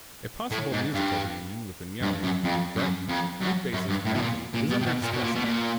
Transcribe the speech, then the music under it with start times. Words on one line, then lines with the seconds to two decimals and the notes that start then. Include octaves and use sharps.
A possible musical reunion with Agnelli, Brighton, and bassist Athey is under discussion.
0.51 A2
0.73 G#2
0.94 G2
2.02 G2
2.23 F#2
2.44 F2
2.76 F#2
3.09 F2
3.41 F#2
3.73 F#2
3.89 G2
4.05 A2
4.14 B2
4.22 A#2
4.54 A#2
4.70 B2
4.81 C3
4.86 B2
5.02 A#2
5.13 B2
5.24 A#2
5.36 B2
5.45 A#2